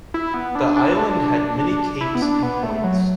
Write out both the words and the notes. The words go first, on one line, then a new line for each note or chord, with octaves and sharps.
The island had many capes and points.
E4
B3
D4
D4
E4
B3
D4
B3
A3
F#3